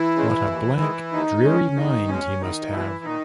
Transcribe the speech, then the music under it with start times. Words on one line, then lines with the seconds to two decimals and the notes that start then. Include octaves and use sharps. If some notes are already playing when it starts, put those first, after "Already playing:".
What a blank, dreary mind he must have!
Already playing: E3 E4
0.16 C#3 G#3
0.48 D#2
0.80 D#3 G#3
1.12 D#2 D#3 D#4
1.44 D#3 G#3 C#4
1.77 E2 D#3 D#4
2.08 B2 G#3 C#4
2.41 E2 D#3 D#4
2.72 B2 E3 G#3 E4
3.04 A#2 D#3 D#4